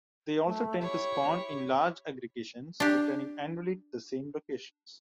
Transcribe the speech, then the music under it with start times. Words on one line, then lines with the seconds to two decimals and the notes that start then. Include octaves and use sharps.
They also tend to spawn in large aggregations, returning annually to the same locations.
0.46 A3
0.81 E4 G4 C#5
2.80 D4 G4